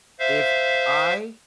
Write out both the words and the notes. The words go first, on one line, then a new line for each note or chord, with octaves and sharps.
If I
C5 E5 F5